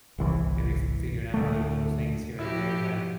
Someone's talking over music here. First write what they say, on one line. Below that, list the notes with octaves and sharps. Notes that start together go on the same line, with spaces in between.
maybe f figuring out other little things here and there that
G1 C2 E3
D2 A3
B2 F3 E4 F#4 G4